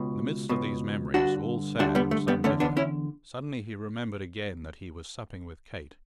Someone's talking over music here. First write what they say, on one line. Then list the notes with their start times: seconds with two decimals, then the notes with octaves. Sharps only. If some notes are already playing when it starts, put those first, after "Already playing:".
In the midst of these memories, all sad and some bitter, suddenly he remembered again that he was supping with Kate.
Already playing: C#2 B2
0.49 C#2 B2
1.14 G2 D3 D4 F#4
1.80 G2 D3 D4 F#4
1.95 G3 B3
2.11 A3
2.28 G3 B3
2.44 E2 D3 A3 C#4
2.60 B3 D4
2.77 C#4 E4